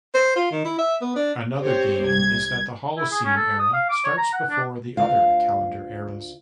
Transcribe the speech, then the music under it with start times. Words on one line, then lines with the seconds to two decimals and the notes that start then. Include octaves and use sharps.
Another gain is that the Holocene Era starts before the other calendar eras.
0.14 C5
0.36 F4
0.52 D#3
0.65 E4
0.79 E5
1.01 B3
1.16 D4
1.60 C4 G4 C5 C#5
2.02 C2 G#6
2.97 E4
3.12 G#4
3.24 C#4
3.36 A4
3.59 D#6
3.73 F5
3.89 D6
4.04 C#5
4.18 A#5
4.33 F#5
4.49 D4
4.97 D2 F4 F5